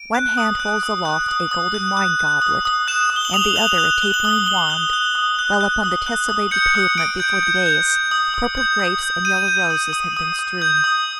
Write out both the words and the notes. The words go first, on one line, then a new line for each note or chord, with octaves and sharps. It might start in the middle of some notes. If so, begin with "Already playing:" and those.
One hand holds aloft a golden wine-goblet, and the other a tapering wand, while upon the tesselated pavement before the dais purple grapes and yellow roses have been strewn.
Already playing: D7
F#6
D#6
F#6
D#6
F#6
D#6
D#6
F#6
F#6
F#6
D#6
D#6
F#6 E7
D#6
G7
F#7
D#6 F7
F#6 F#7
F#6
F#6 G7
F#7
D#6 G7
D#6 F#7
F#6
F#6
D#6
F#6
F#6
D#6
F#6
D#6
G6 C#7
D#6
D#6 D7
G6
G6
G6
G6
D#6
D#6
G6
D#6
G6
G6 D#7
G6
D#6
D#6
D#6
D#6
G6
D#6